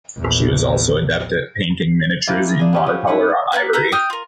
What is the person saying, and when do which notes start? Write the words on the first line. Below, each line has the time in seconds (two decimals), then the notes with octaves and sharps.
She was also adept at painting miniatures in watercolor on ivory.
0.18 A#1 E2
2.27 E3 A#3 C4 F4
2.48 G#4
2.59 D4 G#4
2.73 B3 C#4 G4
2.87 F3
3.07 G#2 E4 B4 F#5
3.52 A#3 C#4 B4 F#6
3.73 E4 A#4 B4 G6
3.92 G5 D#6 F6 G6
4.10 F4 A#4